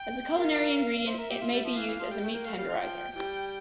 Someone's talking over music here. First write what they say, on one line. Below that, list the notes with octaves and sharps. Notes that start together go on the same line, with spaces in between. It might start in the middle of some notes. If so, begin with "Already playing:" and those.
As a culinary ingredient, it may be used as a meat tenderizer.
Already playing: G5
G4 A#4 F5
C5 E5
A#4
G4
F4
G3
F3
E3 F5
E3
F3
G3 G5
A3
A#3
A3 F5
G3
F3
F3 G5
E3 G3 G5